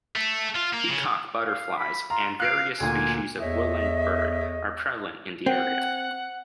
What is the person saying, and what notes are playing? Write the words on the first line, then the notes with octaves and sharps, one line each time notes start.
Peacock butterflies and various species of woodland bird are prevalent in the area.
A3
F4
A#3
C#3
F5
B5
F4 A#5
F5 F#6 C7 D7
D2 A#2 G#5
E2 A4 C#5 D#5 E5
C4 F#5